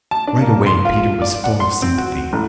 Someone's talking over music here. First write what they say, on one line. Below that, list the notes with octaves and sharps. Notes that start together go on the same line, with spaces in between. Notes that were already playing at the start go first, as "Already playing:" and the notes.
Right away Peter was full of sympathy.
A5
D4
A#3
C6
F4
D5
F#5
C6
C4
F#4
A1